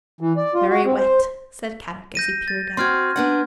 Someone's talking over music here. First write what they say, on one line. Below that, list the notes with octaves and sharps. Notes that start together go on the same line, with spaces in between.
"Very wet," said Kadok as he peered out.
E3
D5
F4
F#4
C4
C5
G6 A#6 D#7
A6
C4 F#4 C6 F6 G#6
B3 D4 F#5